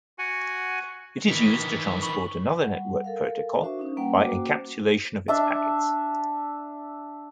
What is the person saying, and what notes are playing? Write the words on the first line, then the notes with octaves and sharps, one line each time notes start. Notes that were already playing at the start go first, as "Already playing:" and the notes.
It is used to transport another network protocol by encapsulation of its packets.
F#4 F#5 G#5
D#3 E3 B6
B5 C#6 F#7
G3 F#5
A4 A#4 F5
D4 F#4 C5 E5 C#6
C#4 D#4
G3 A#3 C#4 B4 F#5 G5
A#3 F#4 C5 G5 D6
D4 E5 A5